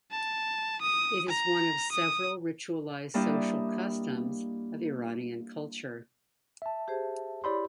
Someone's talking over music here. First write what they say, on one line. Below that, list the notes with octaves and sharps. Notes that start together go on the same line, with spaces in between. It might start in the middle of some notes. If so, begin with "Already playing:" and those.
It is one of several ritualized social customs of Iranian culture.
A5
D#6
A#5
D#6
G3 A#3 D4 E4 G4 D#5
E5 A5
G4 G#4 C5
E4 G4 C#5 D5 B5 C6